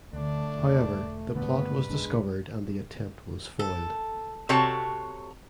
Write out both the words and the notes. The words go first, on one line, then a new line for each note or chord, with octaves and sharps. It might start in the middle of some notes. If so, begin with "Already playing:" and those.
However the plot was discovered and the attempt was foiled.
D2 D3 A3 D4
E1
G2 A#2 D3 A3 B3 B4
F1 B1 G#3 D4
A4
C3 F#4 A4 C#5 A5